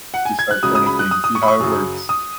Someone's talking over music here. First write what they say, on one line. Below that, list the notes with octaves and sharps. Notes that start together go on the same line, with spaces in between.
Just start turning things to see how it works.
F#5
G#5
G#6
F#6
C#2 C#3 F#3 D#6
D#6
B5
F#6
D#6
D#6
C#6
B5
C#6
F#2 C#3 F#3
D#6